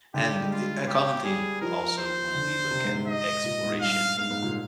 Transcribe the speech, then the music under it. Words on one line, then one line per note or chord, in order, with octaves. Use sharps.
and, eh, a common theme also when we look at exploration
D3 G4
G3
G#3
F4
G4
G3 G#4
F3 A#4
C5
D3
C3
G#2
G#2
D#5
A#2
G#2
G2 F5
G#2 F5
G#2
A#2